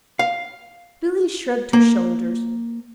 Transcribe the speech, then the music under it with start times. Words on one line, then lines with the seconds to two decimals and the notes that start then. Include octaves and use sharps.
Billy shrugged her shoulders.
0.19 F5
1.73 A#3